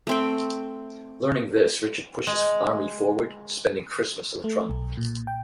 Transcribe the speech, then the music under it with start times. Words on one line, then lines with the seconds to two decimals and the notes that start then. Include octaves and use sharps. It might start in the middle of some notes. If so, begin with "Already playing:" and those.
Learning this, Richard pushed his army forward, spending Christmas at Latrun.
0.07 A3 C4 G5
2.27 G#3
4.44 A3
4.70 B1
4.97 A#2
5.27 G5